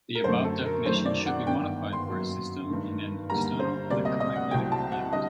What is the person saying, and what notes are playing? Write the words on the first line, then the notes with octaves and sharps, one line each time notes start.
The above definition should be modified for a system in an external electromagnetic field.
A#4
F#2 D3 A3 C5
A4
A#4
F#2 D#3 A3 C5
D5
F#5
G1 G2 D#3 G5
C6
F#2 F#3 A#3
G2 D#3 A3
D#2 D3 G3 A#3 A#5
C5
D2 C3 G3 A#3 D5
D#5
D#5
F#5
C2 C3 F#3 A3 G5
A5
F#5
D3 G3 D#5